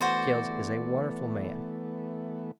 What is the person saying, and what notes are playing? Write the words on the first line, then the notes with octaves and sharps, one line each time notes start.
Childs is a wonderful man.
E3 A3 B3 F#4 C5 D5